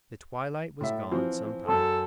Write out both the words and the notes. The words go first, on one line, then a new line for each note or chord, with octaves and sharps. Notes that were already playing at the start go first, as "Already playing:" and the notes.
The twilight was gone some time.
A2 E5
E3 F3 C4
F#2 A4